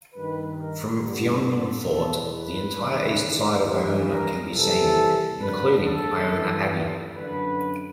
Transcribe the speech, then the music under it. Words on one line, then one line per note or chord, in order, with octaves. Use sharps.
From Fionnphort, the entire east side of Iona can be seen, including Iona Abbey.
G2 D#3 B4
A#4
G2 D3
A4
E2 B2 A4
B4
D#2 C#3 E3
G2 E3
A#4
C2 C3 E3 A4
F#2 D3 B4
A4
G2 E3
D3 B4
F#2